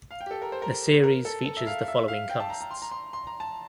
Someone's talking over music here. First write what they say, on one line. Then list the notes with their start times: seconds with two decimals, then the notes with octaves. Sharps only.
The series features the following casts.
0.11 F5
0.21 G5
0.26 G4
0.31 A4
0.42 A#4
0.52 C5
0.62 A#4
1.03 A#4
1.25 A4
1.46 A4
1.57 E5
1.67 F5
1.88 E5
2.08 F5
2.30 G5
2.40 A5
2.50 A#5
2.61 A#5
2.71 C6
2.82 A#5
2.91 C6
3.13 C6
3.27 A#5
3.40 A5